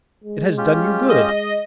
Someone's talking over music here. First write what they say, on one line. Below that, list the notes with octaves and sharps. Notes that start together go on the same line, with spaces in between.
It has done you good?
G#3
C#4 F4 G4
D#5